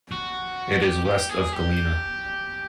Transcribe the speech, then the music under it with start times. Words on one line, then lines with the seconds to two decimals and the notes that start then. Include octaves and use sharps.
It is west of Galena.
0.12 F#4
0.82 G4
1.05 G4
1.29 G#4
1.53 G4